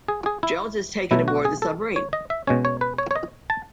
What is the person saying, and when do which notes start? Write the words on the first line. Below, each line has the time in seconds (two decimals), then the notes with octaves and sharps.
Jones is taken aboard the submarine.
0.08 G#4
0.26 G#4
0.43 E4
1.11 B2 F#3 A3 E4
1.28 F#4
1.45 G#4
1.62 A4
1.96 C#5
2.13 D#5
2.30 E5
2.47 B2 G#3 C#4 C#5
2.65 C#5
2.81 B4
2.98 C#5
3.11 C#5
3.16 D#5
3.50 A5